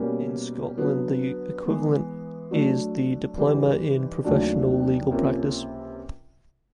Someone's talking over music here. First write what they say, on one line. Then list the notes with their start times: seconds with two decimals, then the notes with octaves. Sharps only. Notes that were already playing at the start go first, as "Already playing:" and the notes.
In Scotland, the equivalent is the Diploma in Professional Legal Practice.
Already playing: B2 G3 A#3 C#4
0.78 D3 F#3 B3
1.65 E3 G#3 B3
2.51 F#3 A3 D4
3.38 G#2 E3 G3
4.24 D#2 C#3 F#3 A3 D4
5.11 C#2 C3 F3 A#3 C#4